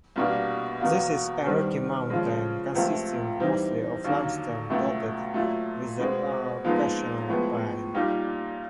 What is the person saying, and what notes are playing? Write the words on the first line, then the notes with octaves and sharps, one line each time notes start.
This is a rocky mountain, consisting mostly of limestone, dotted with the occasional pine.
C2 B2 G3 A#3 D4
E2 B2 F#3 A#3
G2 D#3 G3 C4
C#3 F3 G#3
C#2 C3 F3 A3
E3 G3 C4 D#4
D#2 D3 F#3 A#3 D#4
C#2 B2 F#3 A3
A#2 F#3 A3
B2 G#3 C4
A#2 F3 G#3 B3 D#4
A2 F3 G#3 B3
A#2 G3 A#3 D#4 G4